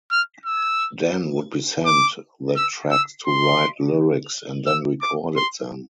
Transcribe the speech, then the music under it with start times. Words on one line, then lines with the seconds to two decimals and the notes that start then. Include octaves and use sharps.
Dan would be sent the tracks to write lyrics and then recorded them.
0.11 F6
0.46 E6
1.86 D6
2.57 E6
2.91 E6
3.26 C6
4.67 E6
5.02 D6
5.37 C6